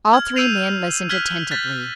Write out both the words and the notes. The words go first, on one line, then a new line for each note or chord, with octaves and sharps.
All three men listened attentively.
F6 G#6
E6 G6 C7 D#7 F7
F6 F#6 G#6 B6
F#6 G6 A6 B6